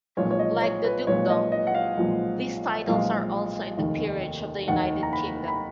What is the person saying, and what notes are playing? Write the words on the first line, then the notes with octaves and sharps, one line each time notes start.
Like the dukedom, these titles are also in the Peerage of the United Kingdom.
B1 A#2 F3 G#3 C#5
C#5
D#5
C#5
B4
B1 A#2 F3 G#3 C#5
D#5
D#5
F#5
F5
B1 A#2 F3 G#3
B1 A#2 F3 G#3 F5
F1 D#2 D#3
F1 D#2 D#3 F#5
A#5
B5
B5